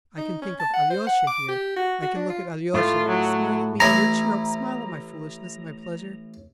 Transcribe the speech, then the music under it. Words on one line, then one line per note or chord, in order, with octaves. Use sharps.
I can think of Alyosha here, I can look at Alyosha ... smile at me, dear, cheer up, smile at my foolishness, at my pleasure....
D#4
C#4
A5
F#5
C5
F#5
D6
G4
F#4
F#4
D4
F4
A2 A3 F4
F#3
A1 E4 G#5 A#5